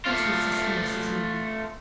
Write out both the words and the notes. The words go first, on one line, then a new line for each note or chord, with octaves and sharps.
"What is this nurse's name?"
A3 F4